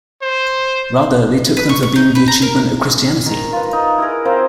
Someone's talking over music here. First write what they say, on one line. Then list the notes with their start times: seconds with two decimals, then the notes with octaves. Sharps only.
Rather, they took them for being the achievement of Christianity.
0.22 C5
1.57 B4
1.69 C#6
1.83 C#6
1.96 D#4
2.15 B4
2.28 A#5
2.42 A#4
3.26 D#3 A#5
3.53 F4 B4
3.73 D#4
3.98 E4 G#4 A#4
4.25 C4 F4 A#4 C5